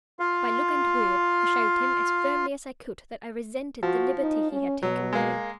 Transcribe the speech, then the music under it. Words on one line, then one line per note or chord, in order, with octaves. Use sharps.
By look and word, I showed him, as firmly as I could, that I resented the liberty he had taken with me.
F4 F5
F3 F#4
D#4
C#4
B2 F#3
G#3 A#3